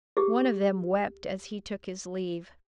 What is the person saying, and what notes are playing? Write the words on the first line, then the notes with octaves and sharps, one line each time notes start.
One of them wept as he took his leave.
G4 G#4